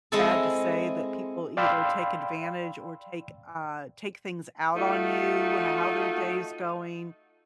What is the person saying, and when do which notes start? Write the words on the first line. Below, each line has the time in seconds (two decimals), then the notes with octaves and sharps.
sad to say, that people either take advantage or take uh, take things out on you, how their day is going.
0.12 G#3 C4 E4 G#4 A4
1.57 D5 F5 G5 B5 C6 E6
4.76 A3 D#4 F4 F#4